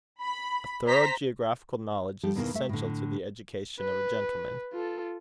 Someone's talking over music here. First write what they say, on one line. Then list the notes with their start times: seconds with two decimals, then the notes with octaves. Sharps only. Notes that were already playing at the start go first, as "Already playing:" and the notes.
A thorough geographical knowledge is essential to the education of a gentleman.
0.20 B5
0.85 C5 A#5 B6
2.23 F3 G3 G4 A4
2.35 E2 B2 D#3 E3 G#3 A#3
2.54 A3 E5
2.69 A2 D3
3.80 B4
4.73 F4 A4